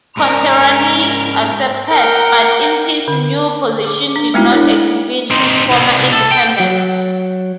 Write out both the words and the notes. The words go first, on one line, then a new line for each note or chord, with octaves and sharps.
Contarini accepted, but in his new position did not exhibit his former independence.
G#2 C#4 A#4 D5 F6
A#4 F#5 G5
D3
G#4 D6
D4
G#3 A3 B3 D#4 E4 F#4
D4 E4 A#4 C#5
C4 D#4
C2
A4
G5
F#3